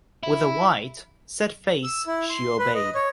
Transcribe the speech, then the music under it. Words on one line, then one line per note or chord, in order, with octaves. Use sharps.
With a white, set face she obeyed.
E4
E6
E4
C6
B4
D#5
C#5